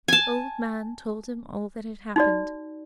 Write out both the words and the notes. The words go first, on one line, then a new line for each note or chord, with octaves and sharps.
The old man told him all that had happened.
G#5 A5
D#4 F#4 D5